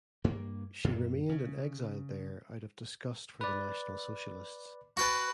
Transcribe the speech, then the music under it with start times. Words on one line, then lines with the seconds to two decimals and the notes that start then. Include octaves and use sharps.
She remained in exile there out of disgust for the National Socialists.
0.24 G2 A#3
0.84 F#2 A#2
1.29 C#3
3.41 B4 D5
4.97 F#4 B4 G5 A5